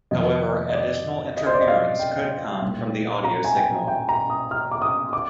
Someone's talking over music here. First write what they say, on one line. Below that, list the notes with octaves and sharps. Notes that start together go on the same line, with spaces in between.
However, additional interference could come from the audio signal.
F2 C3 D#3 D#5
D#5
D5
D#5
C5
D5
D#5
F5
G5
C2 A#2
A#5
G#5
G5
G5
A#5
D#6
F6
D6
D#6
D6